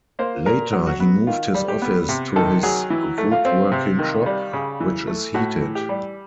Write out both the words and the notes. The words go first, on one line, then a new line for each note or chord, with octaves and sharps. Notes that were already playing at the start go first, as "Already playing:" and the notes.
Later, he moved his office to his woodworking shop, which is heated.
A#3 C5
A#2 A#4
F#3
F#4
B3
D#3 F4
G3
G4
B3
C3
D#3 A4
F#3 G#4
E3
A3
F4
C4
C3
D#3
G3
C#3
E3
A3
A2 F#4
E3
G4
G3